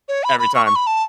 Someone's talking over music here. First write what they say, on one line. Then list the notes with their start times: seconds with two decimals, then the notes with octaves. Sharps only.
every time.
0.08 C#5
0.24 B5
0.39 B5
0.55 C#6
0.66 C#6
0.76 B5
0.87 A5